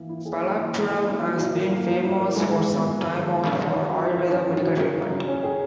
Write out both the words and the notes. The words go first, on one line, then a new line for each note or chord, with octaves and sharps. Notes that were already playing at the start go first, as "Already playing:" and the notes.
Palappuram has been famous for some time for Ayurveda Medical treatment.
Already playing: E3 A#3
E4
G#4
A#3
E3
E4
G#4
A#3
F#3
E4
A#4
A#3
F#3
E4
A#4
G#3
D#3
B3
D#3
G#3
D#3
B3
D#3
C#4
F#3
E4
A#4
C#4
F#3
E4
A#4
F#3
C#3
C#4
G#4